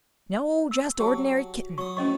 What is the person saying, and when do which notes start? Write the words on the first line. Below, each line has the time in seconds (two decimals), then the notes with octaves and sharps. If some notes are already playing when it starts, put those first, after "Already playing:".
"No; just ordinary kitten."
0.71 E6
1.00 F#3 G4 G5 A5
1.78 F#3 C#6 D#6
1.97 F2 A2 C3 C#4 D#5 C#6